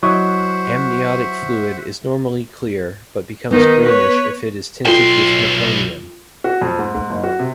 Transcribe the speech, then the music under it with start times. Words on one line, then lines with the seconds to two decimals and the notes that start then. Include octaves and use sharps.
Amniotic fluid is normally clear, but becomes greenish if it is tinted with meconium.
0.03 F#3 E4 C5 D#5 E5 F#5 C#6
3.51 D#3 B3 D#4
3.84 B4 C#5
4.85 B1 F4 A4 G5 C6
6.44 F#4
6.61 F2
6.79 G#2
6.95 G#2
7.10 F#1
7.24 F#4
7.39 C3